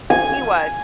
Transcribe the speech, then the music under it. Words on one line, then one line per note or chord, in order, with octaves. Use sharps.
he was.
G#5